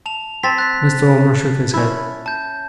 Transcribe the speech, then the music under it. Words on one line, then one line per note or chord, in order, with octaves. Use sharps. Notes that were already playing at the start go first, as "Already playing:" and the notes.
Mr. Omer shook his head.
A5 F7
C4 A5 A6 B6
F#6 A6 B6
C#4 E4
A5 G6